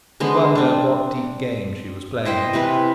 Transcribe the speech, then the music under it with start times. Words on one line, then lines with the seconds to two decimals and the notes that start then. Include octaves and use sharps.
He wondered what deep game she was playing.
0.20 D3 G#3 B3 C5
0.55 C4 D4
2.25 E4 C5 D#5 G5
2.53 C3 E3 C4 B4